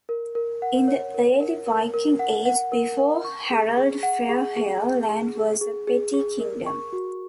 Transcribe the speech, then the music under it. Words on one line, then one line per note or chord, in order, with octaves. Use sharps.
In the early Viking Age, before Harald Fairhair, Land was a petty kingdom.
A#4
A#4
F#5
C#5
A#4
A#4
A#4
A#4
F#5
F#5
A#4
A#4
C#6
G#4
G#4
F#5
G#4
G#4
G#4
G#4
G#4
G#4
G#4
G#4
A#4
C#6
F#4